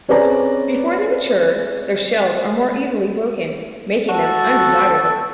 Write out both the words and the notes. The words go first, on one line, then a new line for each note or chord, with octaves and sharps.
Before they mature, their shells are more easily broken, making them undesirable.
C4 C#4 G#4 B4 D5 A#5
F#4 A4